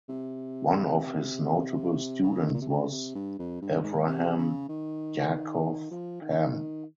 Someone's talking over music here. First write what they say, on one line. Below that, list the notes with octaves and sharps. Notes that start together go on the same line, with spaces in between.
One of his notable students was Avraham Yaakov Pam.
C3
C#3
D#3
A#2
C3
C#3
C3
G2
F2
G2
G#2
C3
C#3
D#3
F3
D#3
C#3
D#3
D#3